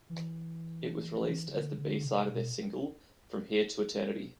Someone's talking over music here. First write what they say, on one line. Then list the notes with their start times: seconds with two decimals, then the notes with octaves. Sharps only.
It was released as the B-side of their single "From Here to Eternity".
0.10 E3
1.20 E3
1.48 D3
1.77 D3
2.04 C3
2.31 B2